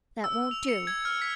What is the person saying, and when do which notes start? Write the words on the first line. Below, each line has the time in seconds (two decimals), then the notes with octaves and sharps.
'That won't do.
0.24 E6
0.51 F7
0.69 C#7
0.87 G#6
1.05 F6
1.21 B6